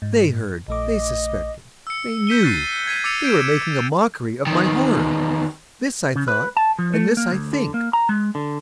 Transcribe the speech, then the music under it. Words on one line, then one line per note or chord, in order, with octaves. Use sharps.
They heard!--they suspected!--they knew!--they were making a mockery of my horror!-this I thought, and this I think.
G#2
A#1 A3 D#5 D6
E6 C#7
G6 B6 D#7 G7
F#6 A6 C7 D#7
G#6 B6 D#7
D6 E6 A6 C#7 D#7 F7
G6 D7 E7
E2 D#3
C#3
B4
A5
F3
A3
A#3
D2
D3
A#3
A#5
G#3
D3